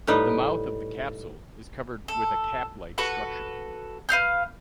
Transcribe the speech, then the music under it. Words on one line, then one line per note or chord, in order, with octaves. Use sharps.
The mouth of the capsule is covered with a cap-like structure.
A2 G3 D#4 B4
A4
F#4 A4 B4 F#5
B4 F5 F6 G6